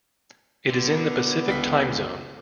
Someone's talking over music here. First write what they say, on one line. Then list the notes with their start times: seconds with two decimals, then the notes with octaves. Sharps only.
It is in the Pacific time zone.
0.70 D3 B3
1.48 C#2 B6